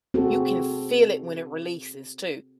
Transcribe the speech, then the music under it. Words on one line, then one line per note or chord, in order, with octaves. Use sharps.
you can feel it when it releases, too.
C4 F#4 G#4 A4